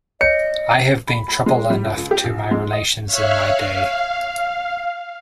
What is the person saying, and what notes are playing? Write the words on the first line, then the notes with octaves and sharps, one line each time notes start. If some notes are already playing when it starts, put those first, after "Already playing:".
I have been trouble enough to my relations in my day.
C#5 D#5 C#7
B5
B5
G#3
G3
C#2
C#2
G4
A#1
G#3
D#5
C#5 E5 F5 F6 F#6
F5